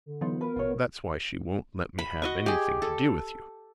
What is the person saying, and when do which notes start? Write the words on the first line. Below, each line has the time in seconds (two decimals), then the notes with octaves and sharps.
That's why she won't let me have anything to do with you.
0.06 D3
0.21 E3 F#3 B3 D#4 F4
0.41 A#4 B4
0.56 A1 B2 F4 C#5
1.99 B5
2.22 F#4 D#5 C#6
2.46 G4 G#4
2.82 A4